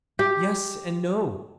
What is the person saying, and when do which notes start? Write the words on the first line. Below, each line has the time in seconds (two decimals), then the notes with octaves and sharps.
"Yes and no."
0.19 G4